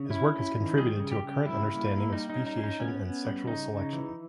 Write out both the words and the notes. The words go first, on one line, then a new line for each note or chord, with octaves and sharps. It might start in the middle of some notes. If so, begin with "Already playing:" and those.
His work has contributed to our current understanding of Speciation and Sexual selection.
Already playing: C#3
C#4 E4
C#4
D#3
G3 G#4
C#3
G4
C#3
G3 E4
A#3
A#3
G3 D#4
D#4
C#4
D#4
C#4
D#4
B3 C#4
B3
G3
C#3 D#4
C#3
E3